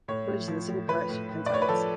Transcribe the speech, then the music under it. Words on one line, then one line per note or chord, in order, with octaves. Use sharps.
The village is in the civil parish of Penzance.
A2 C#5
A2
F3
A2
F3 B4
A2
A2
D5
A2 C#5
B4
F3 A4